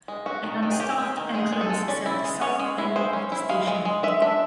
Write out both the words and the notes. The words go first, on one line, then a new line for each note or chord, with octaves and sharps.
An un-staffed entrance is at the south end of the station.
G#3
C#4 F#4
D#3
D#3
G#4
C#4 G4
G#3
D#3
G#3 G#4
G#3
A4
G#3
C#4 D5
E4
G#3
C#4 C#5
G#3
E4
G#3 C5
C#4
E4
G#3 F5
G#3
G#3
G#3 E5
D4 E5